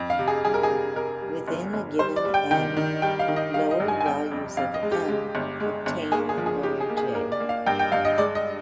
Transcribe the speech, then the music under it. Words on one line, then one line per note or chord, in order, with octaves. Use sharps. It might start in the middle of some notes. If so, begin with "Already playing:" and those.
Within a given "n", lower values of "m" obtain lower "j".
Already playing: F2
F5
C3
G#4
G3 G#4
A#4
G#4
C3
C3 A#4
G3
G1
G1
G3 C5
D5
G3
G5
D#3 G5
D#3
G3 G5
F5
D#3
D#5
G3 F5
D#5
G2
G#5
G#5
G1 G5
F2
F2 F5
D#5
G#3
G4
G#3
G1
G#3
G1
A#3 G#4
G#4
F3
G#4
D#4 G4
G#4
A#3
G#4
A#3 A#4
D5
A#3
F5
G2 G5
G5
G2 F5
D#5
G#3 D5
D#5